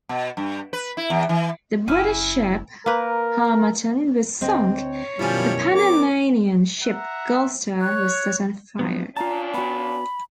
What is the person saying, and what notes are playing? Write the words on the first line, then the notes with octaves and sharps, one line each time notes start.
The British ship "Harmattan" was sunk, the Panamanian ship "Gulfstar" was set on fire.
B2
G2
B4
E4
E2
E3
F#1 E4 G#5 D6 F6
A#3 A#4 B4
D2 C4 D#5
C#5
F#2 B2 D#3 F3 G3 E4 G#5
C4 A#4 D6
E5 F#5 A#5
C#5 F#6
F3 F#3 B3
A#2 C#4 D4 F4 A5 A#5
B3 F#4 B5